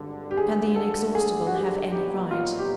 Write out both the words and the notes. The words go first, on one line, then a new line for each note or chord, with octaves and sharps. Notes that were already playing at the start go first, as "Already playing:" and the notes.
Can the inexhaustible have any right?
Already playing: G#1 G2 D3
G4
G#4
A4
G#4
F#4
G4
B1 A#2 F#3 B3 D#4 G4
F4
G4